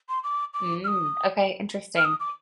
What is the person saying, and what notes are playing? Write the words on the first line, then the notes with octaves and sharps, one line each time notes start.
Mm. Okay, interesting.
C6
D6
D6
F6
D#6
F6
D#6
D6